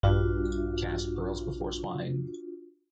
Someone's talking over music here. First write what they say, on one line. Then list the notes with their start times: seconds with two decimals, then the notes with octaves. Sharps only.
Cast pearls before swine.
0.03 A#1 G2 D4 F4 F#4